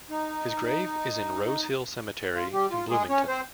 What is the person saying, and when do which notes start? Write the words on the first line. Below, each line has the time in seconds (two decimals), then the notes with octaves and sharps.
His grave is in Rose Hill Cemetery in Bloomington.
0.10 D#4
2.34 F4
2.53 G3 G4
2.71 F4
2.90 G#3 G#4
3.09 C#4 C#5
3.28 C4 C5